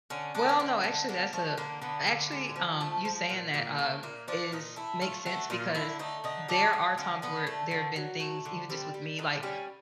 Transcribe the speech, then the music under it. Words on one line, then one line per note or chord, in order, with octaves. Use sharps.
Well, no, actually that's a actually, um, you saying that, um, is makes sense because there are times where there have been things, even just with me, like
D3 C#4
D3 D4
B3
D3 C4
D3
D3 A#3
F3 A3
D3 A#3
D3 B3
D3
G#3
F3
A3
F3
A#2
A#2 A#3
A3 A#3
A#2 A#3
F3 D4
A#2 D#4
A3 E4
A3 F4
A3 F#4
A#2 F4
D3 E4
A3 D#4
D3 D#4
A3 D4
A3
D3 C#4
D3 B3
A3
D3
F#3
A3
D3
G3 C4
G3
D3 D#4
G3 C#4